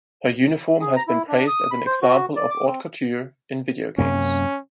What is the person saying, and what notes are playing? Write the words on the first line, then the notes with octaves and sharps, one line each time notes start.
Her uniform has been praised as an example of haute couture in video games.
G#4
A#5
E4
D4
D#6
B5
C5
F#4
D5
D6
C4
F#2 C3 A#3 C#4